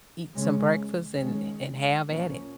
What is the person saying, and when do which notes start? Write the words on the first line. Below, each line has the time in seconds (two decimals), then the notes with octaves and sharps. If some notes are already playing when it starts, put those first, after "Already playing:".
eat some breakfast and and have at it.
0.35 C#3 G#3 C#4
1.21 D#3 G#3 C#4
2.06 A#2 F3 A#3 C#4